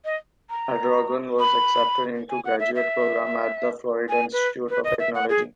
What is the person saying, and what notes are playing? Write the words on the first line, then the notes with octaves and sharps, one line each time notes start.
Adragon was accepted into a graduate program at the Florida Institute of Technology.
D#5
A#5
B5
G#5
F#5
E5
E5
G#5
B4
B4
D#5
E5
F#5
G#4